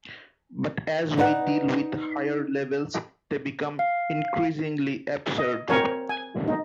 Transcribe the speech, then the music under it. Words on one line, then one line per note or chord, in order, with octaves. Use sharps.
But as we deal with higher levels they become increasingly absurd.
D#4 B4 D5 F#5
F5
D#5
C4 A#4 C#5 G#5
G#5
D#4